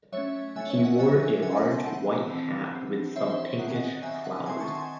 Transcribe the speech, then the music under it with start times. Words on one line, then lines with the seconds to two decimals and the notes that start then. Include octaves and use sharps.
She wore a large white hat with some pinkish flowers.
0.12 F#3 A3 C#4 C#5 E5
0.56 F#3 A3 C#4 E5 G#5
0.70 C#5 E5
0.85 D#5 F#5
0.99 F#3 A3 C#4 E5 G#5
1.42 F#3 A3 C#4 E5 G#5
1.50 C6
1.57 F#5 A5
1.71 F#5 A5
1.86 E3 C4 F#5 A5
2.30 E3 C4
2.72 E3 C4
3.16 E3 C4 C#5 E5
3.30 C5
3.45 C#5
3.59 D#3 F#3 C4 F#5
3.68 G#5
3.75 D#5 F#5
4.02 D#3 F#3 C4 E5 G#5
4.24 F#5 A5
4.46 D#3 F#3 C4 G#5 C6
4.60 A5 C#6
4.75 G#5 C6